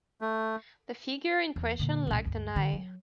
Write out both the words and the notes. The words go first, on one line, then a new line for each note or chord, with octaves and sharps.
The figure in question lacked an eye.
A3
E2
A#2 D3
C#2 A#2
D2 G2
D3
F#3